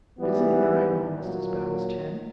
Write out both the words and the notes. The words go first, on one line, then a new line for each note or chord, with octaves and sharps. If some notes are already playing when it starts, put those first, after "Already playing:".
Isn't nine almost as bad as ten?
G#2 E3 G3 B3
A#2 F#3 A#3